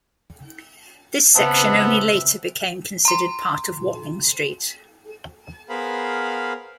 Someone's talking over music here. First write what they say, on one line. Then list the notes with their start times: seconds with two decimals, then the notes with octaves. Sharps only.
This section only later became considered part of Watling Street.
1.35 C#3 B3 C4 B4 C5 E5 A5
3.05 A#5 C6
5.69 B3 G#4 A#4 C5 F5 B5